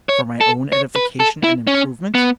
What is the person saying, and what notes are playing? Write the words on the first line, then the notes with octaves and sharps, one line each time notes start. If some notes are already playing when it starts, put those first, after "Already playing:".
For my own edification and improvement?
C#5
A4
C#5
B4
A4
E4
C#4
B3